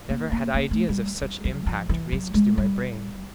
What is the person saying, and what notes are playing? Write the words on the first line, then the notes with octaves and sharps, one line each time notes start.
Never had ideas of such impact raced through my brain!
A#3
A#3
A#3
A3
G3
G3
F#3
F3
E3
F#3
G#3
G3